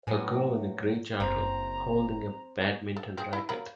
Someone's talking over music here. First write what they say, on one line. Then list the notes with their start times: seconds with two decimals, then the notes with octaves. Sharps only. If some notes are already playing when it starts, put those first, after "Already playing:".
A girl in a gray jacket holding a badminton racket.
0.07 A2 F#3 B3 G#5
1.20 F#1 C4 A#5
2.97 A4
3.17 C4 G#4
3.33 E4
3.49 F#3 A#3 B5